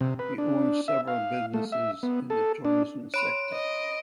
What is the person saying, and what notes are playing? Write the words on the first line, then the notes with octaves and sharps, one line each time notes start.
He owns several businesses in the tourism sector.
C3
B4
D4
E5
F5
A3
E5
B3
A4
D4
C#5 B5 C6 D7
D#5